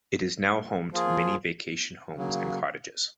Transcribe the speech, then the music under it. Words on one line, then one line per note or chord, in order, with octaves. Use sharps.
It is now home to many vacation homes and cottages.
F3 A#3 F4 G#4
C#3 F#3 A#3